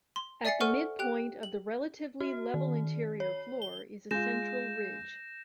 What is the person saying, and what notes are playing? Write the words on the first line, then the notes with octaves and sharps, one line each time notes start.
At the midpoint of the relatively level interior floor is a central ridge.
C6
D5 E5 G#5 A6 C7 C#7
A4 C5 F#5 C#6 F6 D#7
G4 G5 F#6
F#7
F#4
D#3
C#5
G7
G#3 F4 G6 A#6 E7